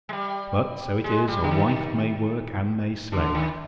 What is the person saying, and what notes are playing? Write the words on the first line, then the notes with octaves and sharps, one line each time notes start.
But so it is: a wife may work and may slave!
G#3
G3
G#3
G3
D3
D#3
D3
D#3